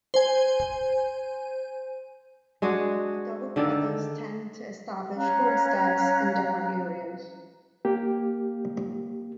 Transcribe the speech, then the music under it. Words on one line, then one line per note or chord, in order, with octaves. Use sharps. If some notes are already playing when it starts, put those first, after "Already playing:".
Adult brothers tend to establish homesteads in different areas.
C5 G#5
G#3 D4 F#4 G#4
D3 D#3 D4 A4
C#4 F5 A#5 F#6
A#3 G4